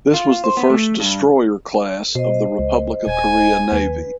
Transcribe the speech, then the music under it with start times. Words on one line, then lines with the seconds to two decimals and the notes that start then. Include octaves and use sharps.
This was the first destroyer class of the Republic of Korea Navy.
0.14 F4
0.44 C5
0.57 B3
0.70 A3
1.00 G2
2.15 B2 C5 D#5
2.59 C#2
3.07 D#1 G#5
3.72 D#2 B4